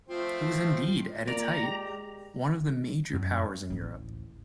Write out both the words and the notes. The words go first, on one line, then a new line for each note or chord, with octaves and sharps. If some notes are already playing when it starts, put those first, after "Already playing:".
It was indeed, at its height, one of the major powers in Europe.
F3 A3 C4 F4
A#2 D5 A#5
G#3 G4
F#2
A1 D2